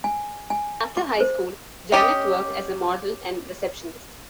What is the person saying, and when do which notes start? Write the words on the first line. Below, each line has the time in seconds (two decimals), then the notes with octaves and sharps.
After high school, Janet worked as a model and receptionist.
0.04 G#5
0.50 G#5
0.97 D6
1.20 C5
1.92 C#4 G4 D#5